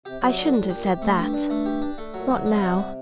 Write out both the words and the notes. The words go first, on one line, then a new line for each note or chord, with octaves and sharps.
"I shouldn't have said that;--not now."
C3 G4
C3 F#3
A#2 D4
A2 D4
A#2 G4
C3 G4
A3
G2
G4
D4
A3
G4
D4
A3
A#2 F#3
C3 F#3
C3 D4
F#4
G3